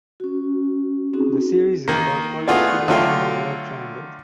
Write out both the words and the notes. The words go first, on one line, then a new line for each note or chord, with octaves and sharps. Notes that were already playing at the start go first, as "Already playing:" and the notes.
The series is about college students and their love triangles.
C#4 F#4
C4 C#4 D#4 F#4 G#4
D#3 A#3
A3 B3 F4 F#4 G#4 D5
D3 F#3 A3 F4 G5